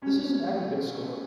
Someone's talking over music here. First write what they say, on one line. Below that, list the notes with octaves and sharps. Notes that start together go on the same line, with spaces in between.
This is an aggregate score.
B2 C#4
B2
A3
C4
A3